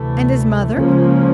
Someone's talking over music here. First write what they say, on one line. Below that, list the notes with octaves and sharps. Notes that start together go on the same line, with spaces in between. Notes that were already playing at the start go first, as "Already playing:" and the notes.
"And his mother?"
Already playing: D2 C3 E3 A3
C#2 C#3 F3 A#3 C#4